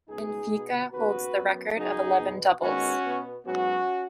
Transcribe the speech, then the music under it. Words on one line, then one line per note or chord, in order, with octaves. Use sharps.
Benfica holds the record of eleven Doubles.
C#2 B2 B3 D#4 G#4
B2 B3
D#2 C#3 B3 F#4 B4
F#2 F#3 B3
F#2 C#3 F#3 B3 D#4 G#4
B2 B3
D#2 D#3 G#3 B3 C#4 F#4
B2 B3
G#2 F#3 B3 C#4 F#4